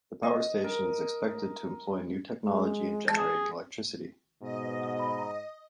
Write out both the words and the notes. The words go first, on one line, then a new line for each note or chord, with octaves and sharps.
The power station is expected to employ new technology in generating electricity.
D#5
A#4
G#3
G#4
G#2 B2 D#5